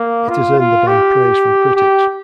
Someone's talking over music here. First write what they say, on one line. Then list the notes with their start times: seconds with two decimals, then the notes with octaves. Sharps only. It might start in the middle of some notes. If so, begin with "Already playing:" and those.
It has earned the band praise from critics.
Already playing: A#3
0.29 F4
0.59 F4
0.87 G4
1.75 G4